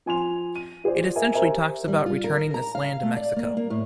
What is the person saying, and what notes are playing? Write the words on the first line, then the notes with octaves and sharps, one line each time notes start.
It essentially talks about returning this land to Mexico.
F3 G#5 C6 F7
D#7
F4 G#4 C5 D5
A#4 E5 G#5
G4 A#4 C5 E5 G#5
G3
F4
A#4
A#5
F5
A3
D5
A#3
A#3
A2